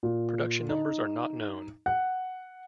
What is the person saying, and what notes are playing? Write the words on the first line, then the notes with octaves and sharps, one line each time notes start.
Production numbers are not known.
A#2
D#4
F#5